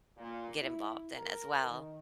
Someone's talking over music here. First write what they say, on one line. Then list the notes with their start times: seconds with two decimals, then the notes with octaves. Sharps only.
get involved in as well.
0.18 A#2
0.60 E4
1.16 A#4
1.65 D#3